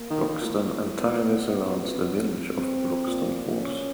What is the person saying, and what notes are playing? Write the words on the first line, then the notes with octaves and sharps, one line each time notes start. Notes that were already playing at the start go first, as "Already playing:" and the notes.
Roxton entirely surrounds the village of Roxton Falls.
Already playing: A#3
D#3
D#3
A#2
A2
B3
G#2
F2
F2
C4
A#2
C#4